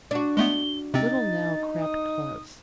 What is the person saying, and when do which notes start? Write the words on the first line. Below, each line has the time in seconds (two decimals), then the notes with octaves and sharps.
Little Nell crept close.
0.11 D4 F#4
0.37 G#3 A3 B3 G7
0.94 C3 C4 D#4 A6
1.81 D#6